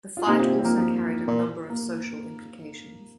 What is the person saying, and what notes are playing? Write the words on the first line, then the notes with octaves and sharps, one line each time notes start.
The fight also carried a number of social implications.
F4
C3 A#3 D#4
C4 F4
C4
F3 A#3
F3 A#3
A#2
A#3